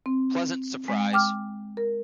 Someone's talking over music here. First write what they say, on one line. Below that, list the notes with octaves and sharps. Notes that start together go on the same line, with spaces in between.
Pleasant surprise!
C4
G#3
G5 D6 F6
A#4